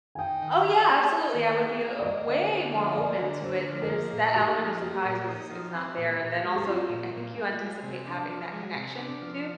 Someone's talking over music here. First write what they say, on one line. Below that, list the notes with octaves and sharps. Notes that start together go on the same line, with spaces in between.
Oh, yeah, absolutely, I would be a a way more open to it, there's that element of surprise is is not there, and then also, yo I think you anticipate having that connection, too,
G#5
D#4 G5
D#3
G#4
A#3
D#4
D#3
G#4
A#3
D5
A#3 D#5
D3
D3
F3
A#3 D5
D3
D3 C5
F3
A#4
A#3 G#4
A#2
D#4 G4
F3
A#3 G4
A#2
D#4
F3
C4
A#2
A#2
G#3
G4
C4 F4
A#2
A#2
G#3
G#3
C3
D4
F3
G#3
C3
D4
F3